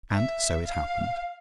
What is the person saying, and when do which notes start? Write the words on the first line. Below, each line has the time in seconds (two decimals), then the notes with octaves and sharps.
And so it happened.
0.12 E5
0.67 F5